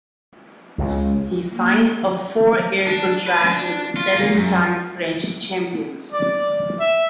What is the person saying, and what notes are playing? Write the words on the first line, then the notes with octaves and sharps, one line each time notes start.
He signed a four-year contract with the seven time French champions.
C#2
A#3
D4
B4
D4
F4
A#3
F#2
D5
E5